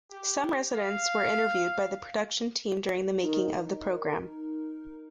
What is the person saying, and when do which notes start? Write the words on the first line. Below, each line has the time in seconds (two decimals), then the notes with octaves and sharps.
Some residents were interviewed by the production team during the making of the programme.
0.10 G4
0.75 F5
3.23 D#4 A#4